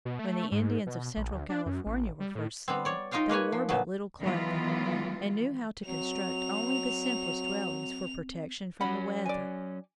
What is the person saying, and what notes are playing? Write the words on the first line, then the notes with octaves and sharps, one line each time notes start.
When the Indians of central California were first seen, they wore but little clothing, and knew how to construct only the simplest dwellings for protection from the weather.
B2
A3
G#2
B2
A#1
D2
D4
F#2
A1
G3
A2
G3 B3 C4
C#5 D5
D#4 F4 D#5 F5 G5
A#3 B4 C#5 G#5
F3
A#2 D3 F#3 B3
D#3 E3 F#3 G#3 B3 F4
F#3 C4 F7
F#3 C#4 F#5 B5
D5 G#5